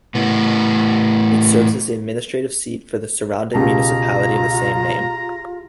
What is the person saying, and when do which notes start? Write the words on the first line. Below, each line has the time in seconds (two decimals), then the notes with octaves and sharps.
It serves as the administrative seat for the surrounding municipality of the same name.
0.15 A2 B3
3.54 C#2 B2 F4 G4 G#4 A5 A#5